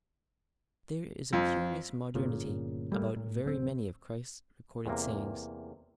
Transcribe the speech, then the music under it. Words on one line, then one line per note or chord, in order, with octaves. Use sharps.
There is a curious modernity about very many of Christ's recorded sayings.
F2
G1 A#2 C#3
G3 A3 A#3
A2
D1 C4
E2 C3 A#3